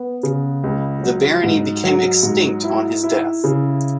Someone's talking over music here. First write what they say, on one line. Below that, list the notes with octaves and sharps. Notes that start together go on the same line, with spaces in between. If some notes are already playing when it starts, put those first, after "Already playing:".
The barony became extinct on his death.
Already playing: B3
C#3
C#2
F#3
G#2
F#3
G#2
E4
E4
C#3